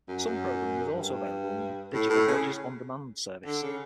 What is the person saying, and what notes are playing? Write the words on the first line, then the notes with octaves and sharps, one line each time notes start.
Some programming is also available on the digital "Rogers On Demand" service.
F#2
F#2
G2
A2
A2
C#3
D3
C#3